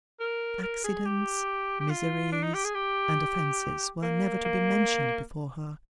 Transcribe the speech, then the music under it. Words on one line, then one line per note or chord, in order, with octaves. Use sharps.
Accidents, miseries, and offences, were never to be mentioned before her.
A#4
A#4
G#4
G4
G4
F4
D4
D#4
G4
G#4
G4
A#3
A#3